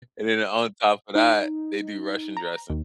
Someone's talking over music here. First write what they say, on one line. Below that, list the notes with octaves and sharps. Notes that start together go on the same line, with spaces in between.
and then, on top of that, they do Russian dressing.
D#4
A#5
D#2